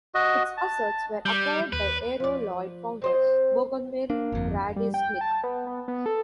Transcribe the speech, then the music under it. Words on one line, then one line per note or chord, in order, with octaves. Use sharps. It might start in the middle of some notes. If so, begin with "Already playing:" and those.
Its assets were acquired by Aero Lloyd founder, Bogomir Gradisnik.
F#4 D#5
A5
G3 G6
D#2 B4
F3 D5
C4 C5 D#5
A#3 D4
G1 F2
G3
G5
A5
B3
B3
B3
A4